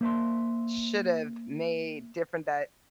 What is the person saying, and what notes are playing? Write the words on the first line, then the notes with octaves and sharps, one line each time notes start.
should've made different that
A#3 C5 E5 A5 C6